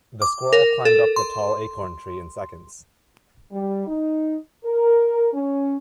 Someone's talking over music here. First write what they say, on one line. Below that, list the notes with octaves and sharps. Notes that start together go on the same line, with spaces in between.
The squirrel climbed up the tall acorn tree in seconds.
D6
A#4
A4
C6
G3
D#4
A#4
C#4